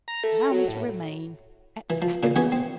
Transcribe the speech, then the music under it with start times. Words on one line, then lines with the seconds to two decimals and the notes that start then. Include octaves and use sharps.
Allow me to remain, etc.
0.08 A#5
0.24 A3
0.51 F#3
0.68 A2
1.90 E3
2.02 F3
2.23 A#2 C#3
2.36 E3 B3 C#4 G#4 C#5
2.52 C4